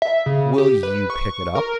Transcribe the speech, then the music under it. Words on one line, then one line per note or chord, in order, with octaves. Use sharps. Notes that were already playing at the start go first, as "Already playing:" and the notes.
'Will you pick it up?'
E5
C#3
G4
B4
C#6
A#4